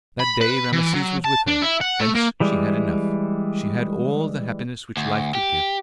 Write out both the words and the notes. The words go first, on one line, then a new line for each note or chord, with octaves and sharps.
That day Rameses was with her; hence she had enough, she had all the happiness which life could give.
B5
B4
E3
F#3
A5
D4
E4
F#5
A3
A#3
E3 G3 G#3
D2
G4